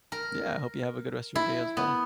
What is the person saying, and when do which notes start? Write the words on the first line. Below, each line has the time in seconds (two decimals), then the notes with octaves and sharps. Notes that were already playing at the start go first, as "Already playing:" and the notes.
Yeah. I hope you have a good rest of your day as well.
0.12 A#4
1.36 E4
1.77 B3